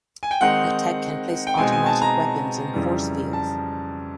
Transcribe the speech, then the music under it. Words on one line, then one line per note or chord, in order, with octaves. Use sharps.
The Tech can place automatic weapons and force fields.
G#5
G5
D#3 G#3 C4 D#4 F#5
G5
B2 G#3 C4 D#4 G#5
G#5
A5
A#5
F2 C#3 E3 G3
A5